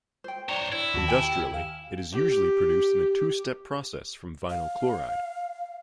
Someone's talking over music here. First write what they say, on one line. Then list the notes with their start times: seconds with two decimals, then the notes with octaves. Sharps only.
Industrially, it is usually produced in a two-step process from vinyl chloride.
0.24 C5 G5
0.49 D4 C5 C#5 A#5
0.72 E4
0.94 D#2 F#4 A5
1.08 G4 G5 G#5
1.54 F5
2.13 G4
4.50 F5